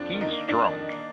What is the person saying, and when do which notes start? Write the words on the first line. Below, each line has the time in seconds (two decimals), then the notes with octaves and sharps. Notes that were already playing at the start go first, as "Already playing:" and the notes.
He’s drunk.
Already playing: F2 D4
0.12 D#3
0.21 D#4
0.30 A#3
0.48 F2 D4
0.68 D#3
0.86 A#3